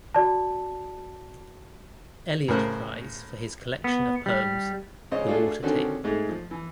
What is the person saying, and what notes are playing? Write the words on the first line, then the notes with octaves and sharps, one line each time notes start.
Eliot Prize for his collection of poems, "The Water Table".
F#4 D5 A5
A2 C#3 A#4 C5 F#6
B3
G3
C#2 C#3 C5 C#5 D#5 F5
A3 D4 F4 F#4 G#4 A4
D3 D#3 C4 C#4 F#4 A4
G#2 G#3 A3
F3
E3